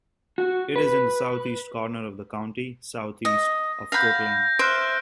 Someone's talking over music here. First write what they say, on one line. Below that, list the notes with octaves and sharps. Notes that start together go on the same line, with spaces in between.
It is in the southeast corner of the county, southeast of Cortland.
F#4
B4
D#5
F5 F#5 B5 G6 A#6
C5 E5 F6 F#6 D7